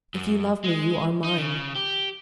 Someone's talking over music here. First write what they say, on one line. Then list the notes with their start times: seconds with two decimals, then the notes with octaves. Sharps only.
If you love me, you are mine.
0.14 F#2
0.64 G#3
1.24 D#4
1.38 C#3
1.76 G4